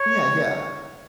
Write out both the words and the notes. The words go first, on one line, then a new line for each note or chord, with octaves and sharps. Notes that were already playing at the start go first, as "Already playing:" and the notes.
Yeah, yeah.
Already playing: C#5